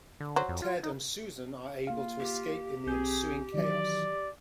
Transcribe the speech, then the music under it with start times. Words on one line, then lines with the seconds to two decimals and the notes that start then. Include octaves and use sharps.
Ted and Susan are able to escape in the ensuing chaos.
0.20 D3
0.36 F#3 C5
0.49 F2
0.62 F4
0.83 D#4
1.87 A#3 F4 F5
2.20 G4
2.87 B1 C4 G#4 G6
3.54 D#3 E3 F#3 D5